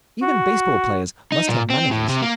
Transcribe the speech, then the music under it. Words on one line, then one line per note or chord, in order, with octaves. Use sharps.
Even baseball players must have managers.
F#4
D#4
A#2
C4
A2
C3
A#3